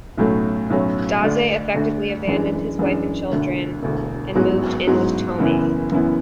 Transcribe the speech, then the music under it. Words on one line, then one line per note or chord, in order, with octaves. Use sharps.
Dazai effectively abandoned his wife and children and moved in with Tomie.
B1 A2 F#3 A3 C#4
B1 A2 F#3 A3 C#4
D2 D3 A3 D4
D2 D3 A3 D4
F#2 E3 G#3 D4
F#2 E3 G#3 D4
E1 D2 D3
E1 D2 D3
A1 G#2 F#3 B3 F#4
A1 G#2 F#3 B3 F#4
F#1 F#2 E3 B3 E4
F#1 F#2 E3 B3 E4